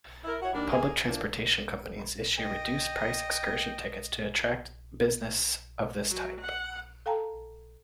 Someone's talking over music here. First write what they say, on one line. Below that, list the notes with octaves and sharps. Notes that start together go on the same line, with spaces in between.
Public transportation companies issue reduced price excursion tickets to attract business of this type.
E4 A#4
E4 F#4 C#5 F#5
D#2 G3 D4 A#4
A#3 G#4
E3 F3 A#3 D4
D#5 G5
F#3
F#5
A4 F5 G5 A5 A#5